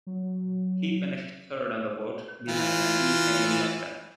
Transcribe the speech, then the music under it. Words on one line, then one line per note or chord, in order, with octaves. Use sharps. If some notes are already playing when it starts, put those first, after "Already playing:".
He finished third on the vote, behind Messi and Iniesta.
F#3
E3 F4